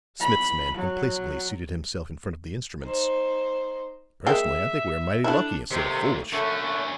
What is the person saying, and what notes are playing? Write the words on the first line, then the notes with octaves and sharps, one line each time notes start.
Smith's man complacently seated himself in front of the instruments. "Personally, I think we are mighty lucky, instead of foolish."
B5
F#3
D#4 C5
G#3 A#3 E5 G5
A3 D4 E4
C3 D#3 A3
F#2 D3 A3 C#4